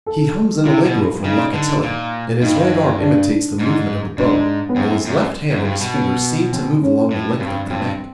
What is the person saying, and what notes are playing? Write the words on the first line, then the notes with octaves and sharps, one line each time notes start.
He hums an allegro from Locatelli, and his right arm imitates the movement of the bow, while his left hand and his fingers seem to move along the length of the neck.
A4
C3 E4
B2
C#3 D#4
D3
A#2
G2 D#4
D4
G#2
G#2 D4
B3
F#2 C4
F#2
F#2
G2
B2
B3
C4
C#4
A2
G2 C4
G2 C4